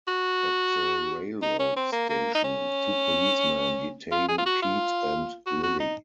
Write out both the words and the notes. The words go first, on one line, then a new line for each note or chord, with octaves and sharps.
At the railroad station, two policemen detain Pete and Lily.
F#4
D#4
C#4
C4
A#3
A#3
D#4
C#4
F4
G#4
F4
F#4
F4
F#4
F#4
D#4